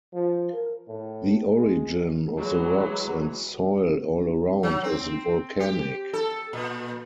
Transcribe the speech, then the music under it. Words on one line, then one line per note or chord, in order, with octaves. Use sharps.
The origin of the rocks and soil all around is volcanic.
F3
A#4
A2
G#3
E3 F#3 G#3
F#3
C4
G4
A4
A#2